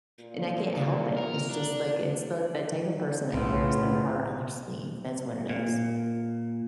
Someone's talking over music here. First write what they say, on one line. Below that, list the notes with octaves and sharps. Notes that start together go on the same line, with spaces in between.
and I can't help it. It's just, like, it's the the type of person that wears their heart on their sleeve. That's what it is.
A#2
A#4
D4
B1 A2 B3 F4
A#2